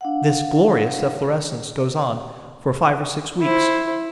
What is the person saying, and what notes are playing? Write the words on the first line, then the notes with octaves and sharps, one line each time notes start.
This glorious efflorescence goes on for five or six weeks.
D4 F5 F#5
E4 C5